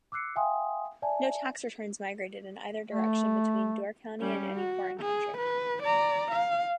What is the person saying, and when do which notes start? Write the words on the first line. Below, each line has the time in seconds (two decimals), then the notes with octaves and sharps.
No tax returns migrated in either direction between Door County and any foreign country.
0.12 D6 E6 F#6 C7 C#7
0.36 E5 F5 G5 G#5 C6 D#6
1.02 D5 E5 G#5 A5
2.91 A3
4.20 G3 C#4
4.54 F#4
5.00 G#4
5.38 B4
5.83 D5 A#5
6.31 F5